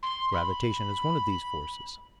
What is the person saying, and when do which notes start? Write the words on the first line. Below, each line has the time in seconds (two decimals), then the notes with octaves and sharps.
Gravitation is one of these forces.
0.03 C6
0.33 B5